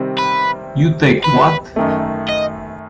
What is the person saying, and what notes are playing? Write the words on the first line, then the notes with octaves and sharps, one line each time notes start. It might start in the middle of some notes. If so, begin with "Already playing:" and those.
You take what?
Already playing: C3 D#3 G3 C4
B4
B4
F#2 D#3 A3
D#5